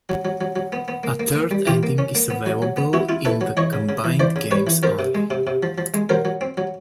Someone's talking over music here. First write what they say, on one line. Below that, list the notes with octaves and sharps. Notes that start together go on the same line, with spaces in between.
A third ending is available in the combined games only.
F#3
F#3
F#3
F#3
B3
B3
A#3
A#3
A#3
G3
E3 F4 G4
A#3
C#4
A#3
B3
F#3
F#3
B3
B3 E4 F#4
E4 F4
E4 A4 B4
F#3
E3 C#5 D#5
C#3
C#3
E3
E3 C5 D5
C#3
G3 B4 C#5
E3
F3 A#4 C5
C3
G#3
C3
C3
F3
F3
G#3
F#3 A#4 C5
F#3
C4
F#3